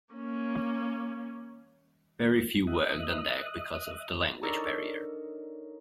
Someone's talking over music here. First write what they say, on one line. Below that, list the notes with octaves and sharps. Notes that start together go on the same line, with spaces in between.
Very few worked on deck because of the language barrier.
A#3 C#4
D#5 E5 D#6 F#6
D4 D#4 A4 A#4 C#5